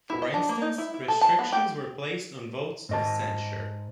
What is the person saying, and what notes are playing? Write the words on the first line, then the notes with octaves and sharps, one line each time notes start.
For instance, restrictions were placed on votes of censure.
E4
D#5
D4
A#3
D#4
E4
E4
A4
A5
B3
G4
G#2 D#5 A5